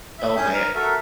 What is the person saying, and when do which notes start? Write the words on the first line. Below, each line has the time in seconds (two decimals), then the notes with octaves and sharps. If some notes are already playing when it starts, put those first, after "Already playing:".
oh, man.
0.19 E5
0.37 C#4 G#4 D#6 G6
0.53 A#4 A#5
0.75 F#4 A4 A#4 E5